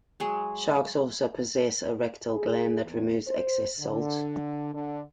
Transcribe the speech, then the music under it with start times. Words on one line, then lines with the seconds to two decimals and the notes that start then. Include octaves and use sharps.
Sharks also possess a rectal gland that removes excess salt.
0.20 F#3 G#3 G#4
2.31 G#4
2.82 E2
3.26 C5
3.79 D3
4.73 D3